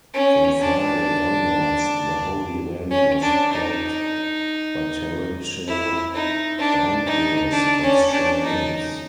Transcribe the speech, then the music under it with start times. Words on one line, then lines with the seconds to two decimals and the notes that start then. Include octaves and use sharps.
From Friday onwards the whole event was plagued by torrential downpours and strong winds.
0.14 C#4
0.61 D4
2.91 C#4
3.22 D4
3.53 D#4
5.67 E4
6.14 D#4
6.59 D4
7.06 D#4
7.52 D4
7.82 C#4
8.13 D4
8.43 D#4